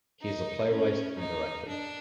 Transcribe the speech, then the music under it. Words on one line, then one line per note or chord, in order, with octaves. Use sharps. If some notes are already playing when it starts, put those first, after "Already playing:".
He is a playwright and director.
D#4
C#4
D#4
D4